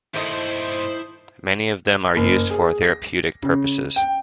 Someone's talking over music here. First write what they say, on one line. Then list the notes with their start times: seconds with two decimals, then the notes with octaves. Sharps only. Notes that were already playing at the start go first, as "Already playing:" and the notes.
Many of them are used for therapeutic purposes.
0.14 G2 A#2 D#3 A3 E4 C5 D#5 E5
2.16 F#1
2.51 G#4
2.83 A#6
3.43 C#3
3.96 G5